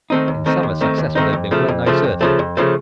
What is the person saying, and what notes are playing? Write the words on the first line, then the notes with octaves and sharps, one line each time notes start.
In summer, success would have been well-nigh certain.
D#3 A3 C4 D#4
D#2
D#3 A3 C4 D#4
D#2
D#3 A3 C4 D#4
D#2
D#3 A3 C4 D#4
F2
C#3 F3 A3
F2
C#3 F3 A3
F2
C#3 F3 A3
F2
C#3 F3 A3